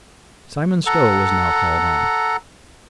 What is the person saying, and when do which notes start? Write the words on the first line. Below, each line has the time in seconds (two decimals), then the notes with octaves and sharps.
Simon Stow was now called on.
0.86 A4 F#5 A#5